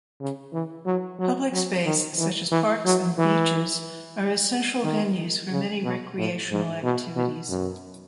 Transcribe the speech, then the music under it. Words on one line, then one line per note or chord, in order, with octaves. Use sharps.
Public space such as parks and beaches are essential venues for many recreational activities.
C#3
E3
F#3
F#3
F#3
D#3
E3
E3
F#3
E3
D#3
C#3
B2
A2
G#2
B2
B2
F#2